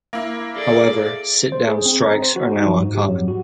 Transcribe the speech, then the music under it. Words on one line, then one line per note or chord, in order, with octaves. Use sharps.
However, sit-down strikes are now uncommon.
A#3 E4
G#4 A4 D5
C5
G#4
C4
A#5
C5
F#4
D#4
F3
G#2
G4
F#3
F#4